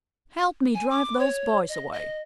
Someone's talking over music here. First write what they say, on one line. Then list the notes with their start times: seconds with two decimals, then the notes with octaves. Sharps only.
"Help me drive those boys away."
0.75 G#5
0.90 D6
1.19 C#5
1.69 D#5
1.93 D#5